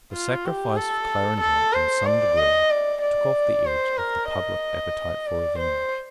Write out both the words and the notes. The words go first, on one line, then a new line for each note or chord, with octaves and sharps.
The sacrifice of Clarendon in some degree took off the edge of the public appetite for revenge.
F4
G4
A4
A4
C5
D5
D#5
D5
D5
C5
A#4
D#5
D5
C5